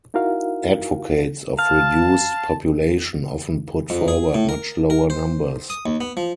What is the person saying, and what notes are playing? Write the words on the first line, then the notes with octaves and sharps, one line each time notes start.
Advocates of reduced population often put forward much lower numbers.
D#4 E4 F#4 A#4 F5
F5 A5
F2
G#4
A2
A#4
A#4
C5
D#6
D#2
B3
F3